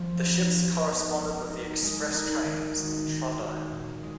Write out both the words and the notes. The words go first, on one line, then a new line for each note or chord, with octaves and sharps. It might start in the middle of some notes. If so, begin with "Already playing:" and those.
The ships corresponded with the express trains in Trondheim.
Already playing: F3
B3 D#4
F3
B3 D#4
G#3
D#4 A#4
G#3
D#4 A#4
D#3
G#3 D#4 F#4
D#3
G#3 D#4 F#4
A#2
G#3